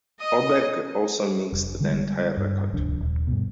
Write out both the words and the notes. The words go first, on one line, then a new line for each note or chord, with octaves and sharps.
Oberg also mixed the entire record.
D#5 D#6
F1
D3 G3 G#3
G2
D1 C2 F3 D4
D#1
G2 B2